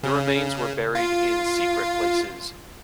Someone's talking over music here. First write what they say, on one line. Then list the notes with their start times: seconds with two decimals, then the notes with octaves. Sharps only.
The remains were buried in secret places.
0.03 C#3
0.95 F4